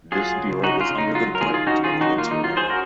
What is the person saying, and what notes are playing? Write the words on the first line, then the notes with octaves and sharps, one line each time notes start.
This bureau was under the Department of the Interior.
F#3 F4 G#4
C#3
C#4 D#4 F#4
F4
C#3
D#4
F#3 F4
A#4
D#3 F4 G#4
F4 G#4
C#4 D#4 F#4
F4 G#4
D#3
D#4 F#4
A#3 F4
D#4
F#3 F4
G#4 C5
C#4 F#4 A#4